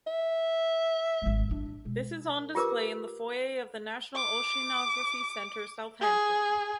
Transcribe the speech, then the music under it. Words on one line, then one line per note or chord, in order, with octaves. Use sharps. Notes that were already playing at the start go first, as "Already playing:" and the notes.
This is on display in the foyer of the National Oceanography Centre, Southampton.
E5
G#1 G#3
A1 D4
B2 G#3
F4 G4 A#4 B4 D6
D6
G#4